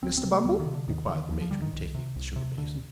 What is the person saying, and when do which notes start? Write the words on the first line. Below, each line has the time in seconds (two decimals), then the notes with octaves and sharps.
Mr. Bumble?' inquired the matron, taking up the sugar-basin.
0.03 D2 C4
0.17 C4
0.24 C3
0.31 A3
0.44 D2 G3
0.60 D#3
0.66 C3
0.74 D3
0.88 D#2 D#3
1.09 D3 D#3
1.30 D#2 F3
1.41 F3
1.51 D3 G3
1.62 D#3
1.73 C2
1.95 C3
2.16 C2
2.36 C3
2.57 D2 D3